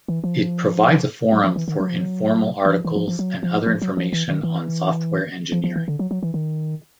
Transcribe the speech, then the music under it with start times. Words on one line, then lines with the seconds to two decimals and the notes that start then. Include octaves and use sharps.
It provides a forum for informal articles and other information on software engineering.
0.08 E3
0.24 F3
1.32 F#3
1.44 F3
1.56 E3
1.68 D#3
1.80 F#3
1.90 F3
2.01 F#3
2.65 E3
2.72 F3
2.85 E3
2.96 F3
3.08 F3
3.19 F#3
3.43 F3
3.66 F3
3.82 F#3
3.97 F3
4.12 E3
4.29 D#3
4.43 E3
5.52 F3
5.64 F3
5.76 E3
5.88 D3
5.99 F#3
6.11 F#3
6.23 E3
6.34 D#3